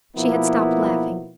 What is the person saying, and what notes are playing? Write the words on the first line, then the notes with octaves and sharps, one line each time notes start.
She had stopped laughing.
B2 F3 A#3 B3 E4